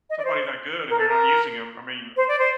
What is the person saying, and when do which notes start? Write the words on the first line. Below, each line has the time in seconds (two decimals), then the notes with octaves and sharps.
somebody that good, and they're not using him, I mean
0.10 D#5
0.18 D5
0.24 C5
0.89 A#4
0.98 A4
1.08 A#4
2.16 C5
2.28 D5
2.38 C5